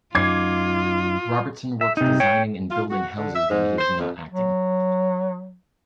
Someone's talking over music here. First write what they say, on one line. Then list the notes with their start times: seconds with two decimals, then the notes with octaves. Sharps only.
Robertson works designing and building houses when he is not acting.
0.15 F#2 D#4 F4 D6 G#6 C7
1.81 E5
1.97 C3 D#4
2.20 C#5 G5
2.71 F4
2.90 F#4
3.18 D3
3.35 E5
3.50 G#2
3.79 C5
4.00 F2
4.30 F#3